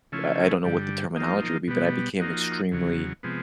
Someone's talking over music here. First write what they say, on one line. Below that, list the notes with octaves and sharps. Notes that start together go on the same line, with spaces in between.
uh, I don't know what the terminology would be, but I became extremely
C#3 F3 A3 C#4 E4
G2 D3 G3
F3 A#3 D#4
B2 G3 B3
F3 A#3 D#4 F#4
E2 C#3 F#3
C3 F3 G#3 B3